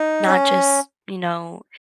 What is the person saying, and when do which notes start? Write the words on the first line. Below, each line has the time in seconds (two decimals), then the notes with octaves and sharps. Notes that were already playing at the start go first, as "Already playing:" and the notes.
not just, you know
Already playing: D#4
0.27 C#4